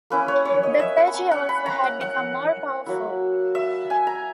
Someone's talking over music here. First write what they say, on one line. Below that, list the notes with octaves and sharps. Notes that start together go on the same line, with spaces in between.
The clergy also had become more powerful.
A#3 C#4 E4 B4
C#5
C#5
D#5
E5
F#5
B5
A#5
F#5
B5
A#5
F#5
F#5
F#3 A#3 E4
E5
G#5
A#5